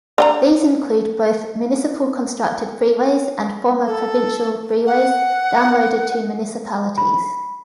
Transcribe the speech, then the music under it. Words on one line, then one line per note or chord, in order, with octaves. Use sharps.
These include both municipal-constructed freeways and former provincial freeways downloaded to municipalities.
D4 G5 A#5
A4
F#5
B5